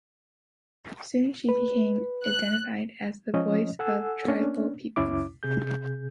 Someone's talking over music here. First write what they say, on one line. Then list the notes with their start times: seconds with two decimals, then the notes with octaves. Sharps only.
Soon she became identified as the voice of tribal people.
1.49 B4
2.23 F#6
3.34 F3 G#3 C#4 D#5
3.79 A4 F#5 G#5 E6
4.27 A#3 C#4 D4
4.96 C#2 F#2 C#4 E4 D6
5.43 C3 G#4 G6